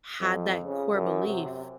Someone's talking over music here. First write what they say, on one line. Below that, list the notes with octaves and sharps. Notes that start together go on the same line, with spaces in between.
had that core belief,
F2
C#3
F#2
C3